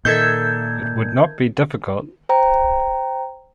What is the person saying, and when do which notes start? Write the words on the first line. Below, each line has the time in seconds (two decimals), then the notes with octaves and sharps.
It would not be difficult.
0.05 A#2 D#3 A4 E5 G6 G#6
2.29 C5 G5 A#5